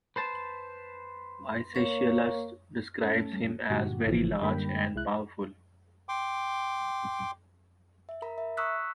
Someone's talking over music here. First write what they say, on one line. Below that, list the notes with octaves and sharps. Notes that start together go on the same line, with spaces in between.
Aeschylus describes him as very large and powerful.
B4 C5 A5
A#3 C#5 C#6
A3 C#4 A4
G2 A#2 D3 F#4 G4
G#1 C#3 E3 F3
F#2 D3 G3 A#3 G5 B5
C2 G#3 E4 F#6
G5 C6 D6
E5
A#4 A#5 B5
E5
A#5 C#6 D#6 E6 F#6 B6